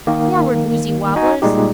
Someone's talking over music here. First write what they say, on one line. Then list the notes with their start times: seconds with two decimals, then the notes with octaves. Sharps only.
Forward, woozy wobblers!
0.07 D#3 A#3
1.16 D#4 F#4 D#5 G#5
1.42 A#2 G3 G#3 D#4 G4